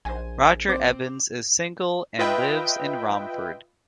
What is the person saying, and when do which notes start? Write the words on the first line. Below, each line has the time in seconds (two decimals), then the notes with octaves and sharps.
Roger Evans is single and lives in Romford.
0.05 A#1 C5 G#5
0.68 C4 C5 D6
2.19 F4 B4 D#5 E5 G5 B5